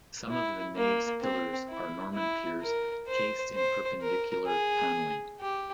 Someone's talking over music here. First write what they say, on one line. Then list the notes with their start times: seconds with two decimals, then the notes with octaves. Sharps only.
Some of the Nave's pillars are Norman piers cased in Perpendicular panelling.
0.29 E4
0.76 A#3
1.22 C4
1.69 E4
2.15 E4
2.61 A#4
3.08 C5
3.55 C5
4.01 A#4
4.47 G#4
5.40 G4